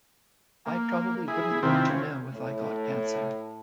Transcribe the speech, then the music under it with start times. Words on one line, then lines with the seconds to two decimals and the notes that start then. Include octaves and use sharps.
I probably wouldn't want to know if I got cancer.
0.66 A#3
1.28 E4 G#4
1.63 C3 D#3 C4 E4 F4
1.89 C#4
2.33 A2